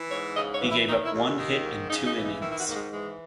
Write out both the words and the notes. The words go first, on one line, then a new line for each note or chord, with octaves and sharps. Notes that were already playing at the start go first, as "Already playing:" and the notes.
He gave up one hit in two innings.
Already playing: E3
G#2 C#5
C#3 D#5
C#5
E3
E4
D#3 D#4
E4
D#2
D#3
G#2
C#3 D#4
D#4
E3
D#4
D#3 E4
E4
F#4
G#2 A#3
G#3
E3 G#3